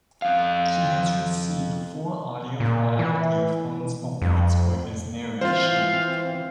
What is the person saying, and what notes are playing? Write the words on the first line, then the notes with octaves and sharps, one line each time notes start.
He has received four AudioFile Earphones Awards for his narration.
F2 F5
A#2
E3
F2
E3 C4 F4 C5 F5